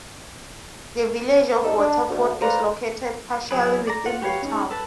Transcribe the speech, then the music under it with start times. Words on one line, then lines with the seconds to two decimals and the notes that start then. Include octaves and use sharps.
The Village of Waterford is located partially within the town.
1.64 C3 G3 D#4 A4
1.79 D4
2.10 D2
2.41 B4 C5 D5 F5 A#5
3.51 F#3 E4 G#4 B4
3.87 D5 A#5
4.06 F4 F#5
4.21 F#4 G4 B4 C#5 F5
4.42 C#4 D#4 G#4
4.71 A4 B4 A5